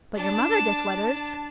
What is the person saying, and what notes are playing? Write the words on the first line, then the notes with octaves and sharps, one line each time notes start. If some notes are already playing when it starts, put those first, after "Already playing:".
"But your mother gets letters?"
D4 A5